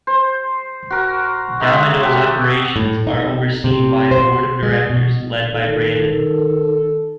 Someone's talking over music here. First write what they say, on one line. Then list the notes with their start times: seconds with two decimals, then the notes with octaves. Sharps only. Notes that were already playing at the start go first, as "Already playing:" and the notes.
Domino's operations are overseen by a board of directors led by Brandon.
0.07 C5
0.90 F#4 A#4
1.60 G#3 D#4 E5 F#5
2.01 F#4 G4 A4
2.76 A2
3.07 D#4
3.64 C3
4.11 C5
4.63 G#3
4.90 B2
5.53 D#3 A4